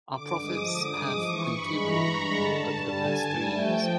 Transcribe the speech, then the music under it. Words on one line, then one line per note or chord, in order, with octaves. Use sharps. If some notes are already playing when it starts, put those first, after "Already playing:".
Our profits have quintupled over the past three years.
D3 D6
G2
G#3 D#6
F3
D3 D#6
G2
G#3 D6
F3
E3 C#6
G2
G2 B5
G#3
E3 A#5
G2
G2
G#3
D3 A5
G2
G2
G3
D3 G#5
G2
G2 A5
G3
A3 G5
F3
F3